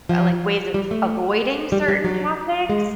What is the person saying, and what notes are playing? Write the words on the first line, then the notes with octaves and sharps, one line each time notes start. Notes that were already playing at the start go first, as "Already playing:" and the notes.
uh, like, ways of avoiding certain topics?
F3
G3
A3
G3
G3
F#3
G#3